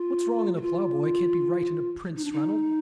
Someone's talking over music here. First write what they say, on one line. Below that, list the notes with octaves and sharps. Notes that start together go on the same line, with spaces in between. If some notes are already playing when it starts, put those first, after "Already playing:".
What's wrong in a ploughboy can't be right in a prince, Ranald.
Already playing: F4
F#4
F4
D#4
D4
D#4